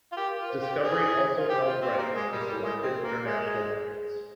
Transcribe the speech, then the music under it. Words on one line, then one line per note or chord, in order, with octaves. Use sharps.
Discovery also held rights in selected international markets.
F4
G4 A#4
A#4
F4
C5
G4
G#4 C5
F4
G4
F4
C4
A#3
G#3 A#4
G3
G3
G#3
C4
A#3
G#3
G#3 G#4